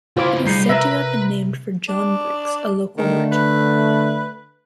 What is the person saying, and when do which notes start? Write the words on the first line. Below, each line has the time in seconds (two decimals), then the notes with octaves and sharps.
It is said to have been named for John Briggs, a local merchant.
0.17 C#2 E4 F4 C5 D6
0.46 C3 G3 D#4 G#4
0.69 C3 A#4 B4 E5 A#5
1.89 D4
2.98 D3 D#3 A3
3.32 B4